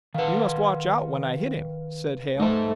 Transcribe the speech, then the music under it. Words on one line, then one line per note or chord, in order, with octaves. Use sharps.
"You must watch out, when I hit him," said Hale.
D#3 B4 F5 F#5
A3 D#4 C5